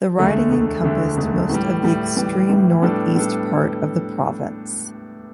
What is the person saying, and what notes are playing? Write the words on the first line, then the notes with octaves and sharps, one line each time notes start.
The riding encompassed most of the extreme north east part of the province.
E1 D2 D3 A3
E1 D2 D3 A3
E1 D2 D3 A3
E1 D2 D3 A3
A2 E3 G3
A2 E3 G3
A2 E3 G3
A2 E3 G3
A2 G3 B3 D4 A4
A2 G3 B3 D4 A4